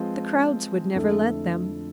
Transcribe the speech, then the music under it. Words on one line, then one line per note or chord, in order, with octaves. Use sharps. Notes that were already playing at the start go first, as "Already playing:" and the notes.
The crowds would never let them.
Already playing: F3 G#3 C4 F4 B4
F2 D3 A3 E4 A4